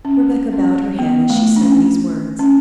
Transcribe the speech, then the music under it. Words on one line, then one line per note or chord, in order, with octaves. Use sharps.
Rebecca bowed her head as she said these words.
C#4
C#4
B3
A3
D4
C#4
C#4